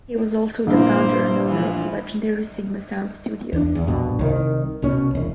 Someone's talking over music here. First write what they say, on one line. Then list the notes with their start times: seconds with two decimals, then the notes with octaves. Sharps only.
He was also the founder and owner of the legendary Sigma Sound Studios.
0.67 A#1 G2 A#3 E4 C5
1.47 E3 F3
3.53 E2 D4
3.75 E2
3.87 A#1 G2 B2
4.19 C2 D#3
4.82 C2 B2 C#4
5.15 E1